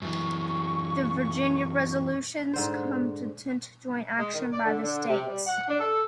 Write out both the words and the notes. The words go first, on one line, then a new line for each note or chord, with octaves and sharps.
The Virginia Resolutions contemplate joint action by the states.
F#2 E3 C#6
G#2 D3 C5
G#3
D#3
D5
D3
D3
C3
G3
F#5
D4
A4